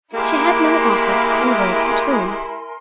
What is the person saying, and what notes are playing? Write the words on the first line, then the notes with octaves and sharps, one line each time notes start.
She had no office, and worked at home.
G#3 A#3 E4 G4 A#4 G#5 C6